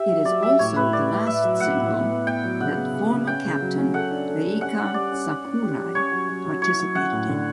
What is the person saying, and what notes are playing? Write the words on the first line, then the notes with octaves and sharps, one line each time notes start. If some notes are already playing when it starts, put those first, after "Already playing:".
It is also the last single that former captain Reika Sakurai participated in.
Already playing: G4 E5
F#3
F#3 D5
G4 E5
A2 C#5
A2 B4
G3 D5
A2
A2 E5
F#3
A2 F#5
A2
B3
B3
B3 G5
F#3
C#3 F#5
B3
C#3
C#3
C#4 G5
C#3
F#3
C#4
A4 F#5
D4
A4
G3
C#4 F#5
G3 F#5
G3 D5
C#4
C#4
C#4
G4
G3
C#4 C#5
F#3
F#3
F#3
E4 C#5
F#3
C#4 F#5
A2
D3